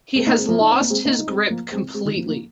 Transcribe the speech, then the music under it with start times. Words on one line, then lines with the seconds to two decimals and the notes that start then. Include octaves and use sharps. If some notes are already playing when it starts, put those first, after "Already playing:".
He has lost his grip completely.
0.16 G#3 C4
0.27 A#3 D#4
0.38 G#3 C4
0.49 F3 A#3
0.60 D#4
0.71 C4
0.80 A#3
0.90 G#3 C4
1.05 A#3 D#4
1.19 D#4
1.27 G#3 C4
1.50 F3 A#3
1.72 G#3 C4
1.94 G#3 C4
2.05 D#3 G#3
2.17 F3 A#3
2.27 F3 A#3